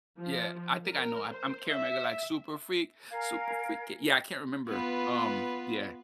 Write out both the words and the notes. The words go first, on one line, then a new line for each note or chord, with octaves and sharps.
Yeah, I think I know. I'm I'm Kara Mega, like, super freak, super freaky, yeah, I can't remember, um, yeah.
F3
A#4
C5
E5
A#4 F5 G#5 G#6
B3 F4 B4